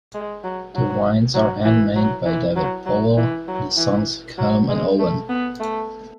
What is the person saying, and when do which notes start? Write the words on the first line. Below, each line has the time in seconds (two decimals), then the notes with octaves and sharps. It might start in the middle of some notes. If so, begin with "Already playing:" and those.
The wines are handmade by David Powell and his sons Callum and Owen.
0.14 G#3
0.44 F#3
0.75 F#3
1.34 F#3
1.65 E3
1.96 F#3
2.26 E3
2.56 F#3
2.86 F#3
3.17 E3
3.48 F#3
3.77 E3
4.38 F#3
4.69 G#3
4.99 A3
5.29 B3
5.60 A3